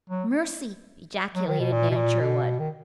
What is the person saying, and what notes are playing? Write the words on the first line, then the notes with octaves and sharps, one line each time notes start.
"Mercy!" ejaculated Nan Sherwood.
F#3
F#3
D#3
B2
A#2
B2
A#2
B2
D#3